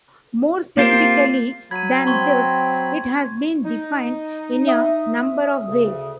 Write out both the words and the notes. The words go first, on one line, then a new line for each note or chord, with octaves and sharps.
More specifically than this, it has been defined in a number of ways.
A#3 C4 F4 G4 A#4 C5
F#3 B5 G#6 D#7
C4 C6 C#6 G#6
D#4
E5 D#6
D2 C#3